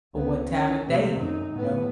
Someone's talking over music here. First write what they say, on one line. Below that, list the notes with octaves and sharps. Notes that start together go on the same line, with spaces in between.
or what time of day, you know?
C#2 B3
C#4
C3 A#3
F#2 D#4
A2 B3